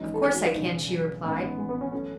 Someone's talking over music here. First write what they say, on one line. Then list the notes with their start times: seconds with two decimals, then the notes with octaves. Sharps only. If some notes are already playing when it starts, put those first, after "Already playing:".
"Of course I can," she replied.
Already playing: G#1 F#2 E3 G#3 D#4
0.14 A4
0.24 G#4
0.34 F#4
0.44 E4
0.54 E1 E2 C#3 D#4
0.89 F#3
1.23 A1 G#2 D#3 G#3 B3
1.58 G#3
1.69 B3
1.81 C#4
1.92 F#2 E3 A3 C#4 E4